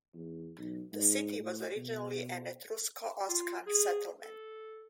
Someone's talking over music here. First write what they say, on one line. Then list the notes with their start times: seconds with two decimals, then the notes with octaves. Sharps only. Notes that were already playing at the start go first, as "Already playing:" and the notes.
The city was originally an Etrusco-Oscan settlement.
0.14 E2
0.58 B1
0.93 G#2
1.39 A2
1.76 B2
3.28 F4
3.67 G#4
4.23 A4